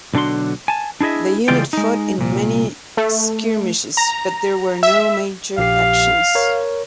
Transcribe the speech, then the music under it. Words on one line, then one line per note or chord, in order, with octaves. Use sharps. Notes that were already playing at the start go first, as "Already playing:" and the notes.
The unit fought in many skirmishes but there were no major actions.
B1 D3 D4 F#4 C6
G#5 A5
D4 E4 G#4 D#5 E5
C#3 E3 G3 G#3 F4 G5
G#3 D#4
C2 A#2
A3
A#5
E5
A#1 G4 F5 C7
A#4 C#5